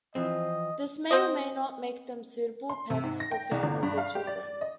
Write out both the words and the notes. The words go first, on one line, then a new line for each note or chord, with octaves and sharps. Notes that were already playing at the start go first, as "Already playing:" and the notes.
This may or may not make them suitable pets for families with children.
E3 F3 C4 D#5
C4 C5 D#5
C6
C3
G#2
A#6
G5
C2
G1
G2
F5
G4
D5
D#5